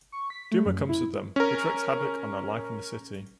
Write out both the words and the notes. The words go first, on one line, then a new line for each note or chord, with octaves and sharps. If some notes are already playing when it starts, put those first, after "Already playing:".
Duma comes with them, which wreaks havoc on their life in the city.
C#6
B6
A3
F#2
E4
C#4 A#4